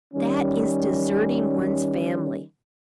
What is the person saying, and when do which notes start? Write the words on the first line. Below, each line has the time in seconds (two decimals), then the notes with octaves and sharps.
That is deserting one's family.
0.14 D#3 G3 C#4